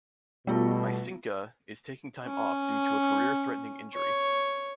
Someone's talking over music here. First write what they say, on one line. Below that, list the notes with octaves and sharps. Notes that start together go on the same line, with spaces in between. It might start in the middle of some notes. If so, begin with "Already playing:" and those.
Myskina is taking time off due to a career-threatening injury.
B2 G3 A3 B3 F4
C#4
C#5